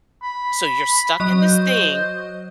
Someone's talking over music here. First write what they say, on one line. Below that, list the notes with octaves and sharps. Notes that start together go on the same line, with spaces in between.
So you're stuck in this thing
B5
F#3 D#5
C5